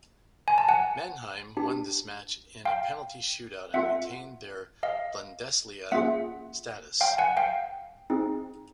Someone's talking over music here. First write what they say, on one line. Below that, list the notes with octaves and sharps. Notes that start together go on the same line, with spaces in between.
Mannheim won this match in a penalty shootout and retained their Bundesliga status.
G#5
A5
F#5 G#5
D4 G4
F5 G5
C4 F4 A4 E5 F#5
D#5 F5
A#3 C#4 F4 G#4 E5 F#5
F5 G5
F#5 G#5
F5 G5
C4 D#4 G#4